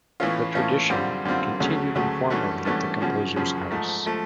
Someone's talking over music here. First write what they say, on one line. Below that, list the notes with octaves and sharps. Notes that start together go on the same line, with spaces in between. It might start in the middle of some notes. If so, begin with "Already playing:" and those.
The tradition continued informally at the composer's house.
A2 E3 A3 C#4 F4
A2 E3 A3 C#4 F4
F#2 D3 G3 C4 F4
F#2 D3 G3 C4 F4
D2 C#3 F#3 A3
D2 C#3 F#3 A3
G2 E3 A3 C#4 F#4
G2 E3 A3 C#4 F#4
F#2 C#3 F3
F#2 C#3 F3
G#2 F3 A3
F3 A3